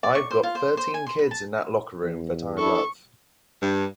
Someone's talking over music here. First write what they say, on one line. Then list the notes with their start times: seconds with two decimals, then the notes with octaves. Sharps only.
I've got thirteen kids in that locker room that I love.
0.03 D5
0.15 C#6
0.31 C5
0.43 F4
0.55 C5
0.77 C5
0.94 G#5
1.07 C6
1.19 B5
1.31 A5
2.03 E2
2.57 D4 E4 A4 C#6
3.62 G2